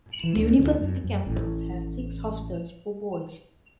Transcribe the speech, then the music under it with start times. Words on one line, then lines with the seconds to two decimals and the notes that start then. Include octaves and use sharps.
The university campus has six hostels for boys.
0.23 E3
0.36 D2 D3
0.59 D2 D3
0.81 F#2
1.04 F#2
1.26 A1 A2